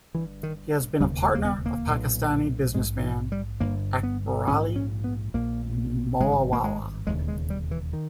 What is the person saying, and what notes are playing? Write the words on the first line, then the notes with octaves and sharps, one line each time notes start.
He has been a partner of Pakistani businessman Akberali Moawalla.
G1 G2 E3
D#3
E1 D#2 C#3 G3
G#3
A#3
B3
A#3
A#2
B1
A#1 G#2 G#3
E3
G3
G1 G2 A#3
B3
A#1 G#2 C#4
C#4
B3
A#1 A#2 A#3
G#1 G2 G#3
A#3
G#3
E1 D#2 C#3 G#3
G#3
G3
E3
D#3